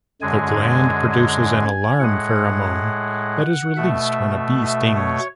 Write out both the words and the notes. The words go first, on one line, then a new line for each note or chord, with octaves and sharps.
The gland produces an alarm pheromone that is released when a bee stings.
F#2 D3 G#3 G#5
G#5
A2 G#3 F#5
B2 A3 E5
E5
C#5